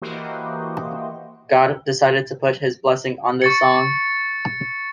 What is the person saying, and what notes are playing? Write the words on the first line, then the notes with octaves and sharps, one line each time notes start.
God decided to put his blessing on this song.
E3 A#3 F#4 G4 C5 D#5
C#6 A6 C#7